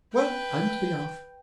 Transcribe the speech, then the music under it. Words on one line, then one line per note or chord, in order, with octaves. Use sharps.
Well, I must be off.
B4 G5